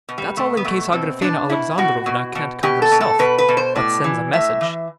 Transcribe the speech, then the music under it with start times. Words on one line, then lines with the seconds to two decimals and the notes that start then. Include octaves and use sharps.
That's all in case Agrafena Alexandrovna can't come herself, but sends a message.
0.09 B2
0.18 G3
0.37 B2 A3
0.57 B3
0.65 B2 A3
0.93 B2 C4
1.21 B2 D4
1.50 B2 E4
1.78 B2 F#4
2.06 B2
2.35 B2
2.63 B2 G4
2.82 A4
2.92 B2
3.01 A4
3.19 B2 B4
3.38 B4
3.48 B2
3.57 C5
3.75 A2 D5
4.04 E3
4.33 A2 E5
4.61 E3